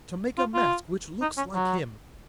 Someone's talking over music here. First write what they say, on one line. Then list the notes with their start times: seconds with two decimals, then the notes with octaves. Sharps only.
To make a mask which looks like him!
0.38 F4
0.54 F4
1.22 D#4
1.38 C#4
1.55 F#3